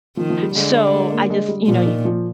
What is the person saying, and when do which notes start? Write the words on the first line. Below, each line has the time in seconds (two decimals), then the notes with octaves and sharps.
So I just, you know, y
0.17 D#3 F3
0.30 F3
0.42 G3
0.54 D3 G#3
0.93 G#3
1.12 A#3
1.30 G#3
1.48 G3
1.67 A#2 F3
1.86 D#3
2.05 F3